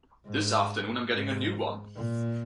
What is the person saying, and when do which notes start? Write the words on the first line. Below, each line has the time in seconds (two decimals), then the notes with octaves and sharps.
This afternoon I'm getting a new one!
0.26 G#2
1.11 G#2
1.96 A#2